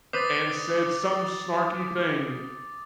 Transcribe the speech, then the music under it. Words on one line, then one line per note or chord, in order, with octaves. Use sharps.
And said some snarky thing,
B4 C5 D6 D#6 A6